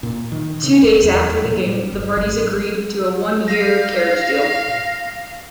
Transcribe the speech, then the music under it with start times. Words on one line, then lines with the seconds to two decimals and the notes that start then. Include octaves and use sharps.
Two days after the game, the parties agreed to a one-year carriage deal.
0.03 A#2
0.32 D#3
0.63 C#3
0.82 D#1
1.04 E2
1.44 A#2
1.66 G3
1.92 G1
2.16 G#1
3.48 F5 A#6